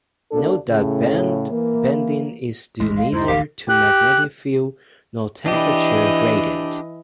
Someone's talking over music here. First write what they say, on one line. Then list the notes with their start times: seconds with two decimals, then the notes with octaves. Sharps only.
Note that band bending is due neither to magnetic field nor temperature gradient.
0.32 D2 A#3 D4 A4
0.68 A2 C#3
1.51 E3 A#3
2.80 A1 D#2 A#2 G#3
2.97 F5
3.13 E2 G2 C3 D#4 E4 C5
3.28 D1 A1 D2 G4 F5
3.69 G4 F#6
5.46 E3 D4 G4 D#5